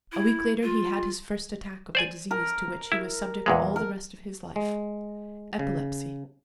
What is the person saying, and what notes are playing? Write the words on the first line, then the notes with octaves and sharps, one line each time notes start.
A week later he had his first attack of the disease to which he was subject all the rest of his life--epilepsy.
E4
F4
C5 D5 G#5
A#4
E4
E2 A#2 G#3
A#4
G#3
C#3